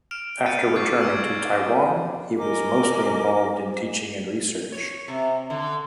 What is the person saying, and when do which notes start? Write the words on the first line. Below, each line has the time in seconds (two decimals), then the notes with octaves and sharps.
After returning to Taiwan, he was mostly involved in teaching and research.
0.11 F6 D7 E7 F7
0.46 F6 G6 A6 C#7 D#7
0.76 C#6 D6 G6 A6 C7
1.00 D6 E6 F6 G#6 D7
2.37 A#4 D#5 G#5 D6
4.72 C#5
5.08 C3
5.50 D3